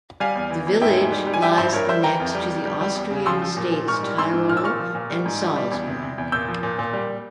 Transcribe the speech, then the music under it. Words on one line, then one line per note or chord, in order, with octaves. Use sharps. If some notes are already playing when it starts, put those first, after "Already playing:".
The village lies next to the Austrian states Tyrol and Salzburg.
G3 F5 G#5
E2
E3
E2
G#2 E5 G5
G#2
G3
G3
G#5
G3 E5 G5
G2 C5 E5
G2 A#4 C#5
G3 C5 E5
E3 G5 A#5
F2
G3
F2
G3
G3
E2
C#3
F3 C6 E6
F3
A#2
A#2
G#2 C#6 F6
G3
G#2 C6 E6
G#2
A#2 F6
E6
A#2 C#6 F6
F3
A#2
G3
G#2
G3
G3
E2
C3
C3
E2
A#2 E6 G6
F3
A#2
A#2
G3